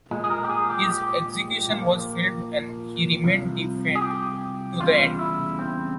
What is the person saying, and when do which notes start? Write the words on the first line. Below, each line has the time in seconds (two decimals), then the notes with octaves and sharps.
His execution was filmed, and he remained defiant to the end.
0.11 A#2 G#3
0.24 G#4
0.30 A#4
0.44 G4
0.50 G#4
0.70 G4
0.90 G4
1.67 A#2 F3 A#3
3.24 C2 C3 F3
3.95 G#4
4.01 G4
4.80 E2 C#3 G3 F4
5.19 E4
5.59 C4